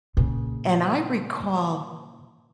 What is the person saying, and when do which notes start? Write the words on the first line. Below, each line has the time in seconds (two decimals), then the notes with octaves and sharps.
and I recall
0.17 A#2 C#3